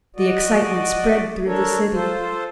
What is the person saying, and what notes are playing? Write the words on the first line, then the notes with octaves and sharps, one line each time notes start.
The excitement spread through the city.
F#4 D5 D#5
D4 A4 A#4 C#5
F4 A4 C5